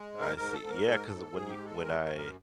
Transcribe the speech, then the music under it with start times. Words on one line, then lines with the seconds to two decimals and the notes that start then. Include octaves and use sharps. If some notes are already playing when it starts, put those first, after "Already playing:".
I see. Yeah, 'cause when you when I
Already playing: G#3
0.12 G#2
0.21 A#4
0.37 G#2 A#4
0.53 A4
0.60 G#2
0.69 A#4
0.85 G#2 A4
0.94 A#4
1.05 G#2 A4
1.33 G#2 G#4
1.49 G4
1.57 G#3
1.65 A4
1.82 D#3 A#4
2.05 F#2 A#4
2.17 A#4